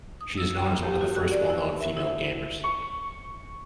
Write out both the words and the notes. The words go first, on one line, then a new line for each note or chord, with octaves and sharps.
She is known as one of the first well-known female gamers.
D#6
E6
G5
G4
F#4
F#6
D5
E4
E5
E4
C#6